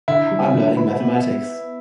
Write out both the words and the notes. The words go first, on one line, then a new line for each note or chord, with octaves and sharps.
I’m learning mathematics.
D3 E4
G3
D3
B4
B3